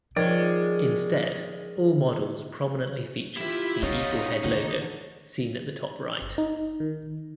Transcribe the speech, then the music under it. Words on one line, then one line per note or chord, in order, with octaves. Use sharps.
Instead, all models prominently featured the Eagle head logo, seen at the top right.
D#3 F3 G#3 C#5 D5
E4 F4 G4 E5
B3 C#4 D#4 F4 C#5
D3 D#3 D#4
G1
D#4
D#3